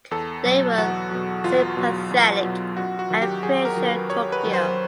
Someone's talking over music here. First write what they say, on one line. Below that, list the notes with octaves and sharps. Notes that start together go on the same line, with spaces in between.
They were sympathetic and pressured Tokyo.
E2 A4
B2 F#3
E2 F#4
B2 F#3
E2 F4
B2 F#3
E2
B2 F#3
F#2 F#4
F#4
D#3 F#3
G4
F#2 G#4
A#4
D#3 F#3
B4
F#2 C#5
B4
D#3 F#3
C5